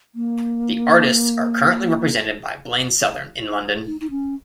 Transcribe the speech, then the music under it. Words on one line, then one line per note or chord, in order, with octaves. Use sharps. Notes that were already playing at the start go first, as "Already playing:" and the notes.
The artists are currently represented by BlainSouthern in London.
A#3
D#4
D#4
C#4